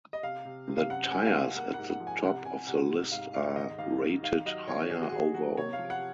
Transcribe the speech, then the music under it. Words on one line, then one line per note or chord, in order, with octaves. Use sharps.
The tires at the top of the list are rated higher overall.
D#5
C3 F5
C3
C3
F5
F#2 F#5
F#5
G#3 G#5
F5
G#3 F#5
A#3 F#5
G#2 F#5
F#5
F3
G#5
C2 F#5
C2 G#5
C2 F#5
G#2
G#2 F5
G#2 F5
D#2 D#5
D#2 F5
D#3
D#3 F5
F#3 D#5
D#2 C#5
D#2 G#4
F#4
D#2 G#4
F#3 F#4
C3 C#5
F5
F3
F#5